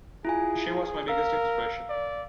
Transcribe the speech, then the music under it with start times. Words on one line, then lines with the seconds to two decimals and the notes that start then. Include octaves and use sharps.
She was my biggest inspiration.
0.25 E4 F4 G#4 G#5
1.08 A#4 F5 E6
1.89 D5